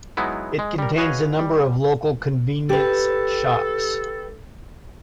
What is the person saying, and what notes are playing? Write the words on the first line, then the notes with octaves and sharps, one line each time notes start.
It contains a number of local convenience shops.
F#3 G#3 B3 D#4 E4
G#3
G3 A#4
F#4 G#4 B4 C#5 D#5 F5
G3
G4 A4 B4